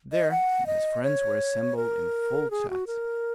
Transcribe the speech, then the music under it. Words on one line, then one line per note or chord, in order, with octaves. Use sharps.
There his friends were assembled in full chat.
D#5
F#5
D#5
C#5
A#4
G#4
F#4
A#4